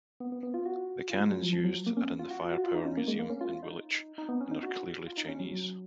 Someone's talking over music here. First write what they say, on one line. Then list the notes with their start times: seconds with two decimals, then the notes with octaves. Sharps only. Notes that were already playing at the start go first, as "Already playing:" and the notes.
The cannons used are in the Firepower Museum in Woolwich and are clearly Chinese.
0.20 B3
0.32 B3
0.43 B3
0.54 F4
0.66 F#4
1.10 F4
1.20 G#3
1.31 F#3
1.42 F3
1.53 F3
1.64 F#3
1.86 A#3
1.97 C#4
2.19 F4
2.30 F#4
2.42 F4
2.53 F#4
2.64 F4
2.75 D#4
2.85 C#4
2.97 A#3
3.08 G#3
3.19 A#3
3.30 C#4
3.41 F4
3.51 F4
3.63 D#4
4.18 D#4
4.29 B3
4.41 C#4
4.51 D#4
4.63 F#4
5.07 F4
5.17 D#4
5.28 C#4
5.40 F#3
5.51 F#3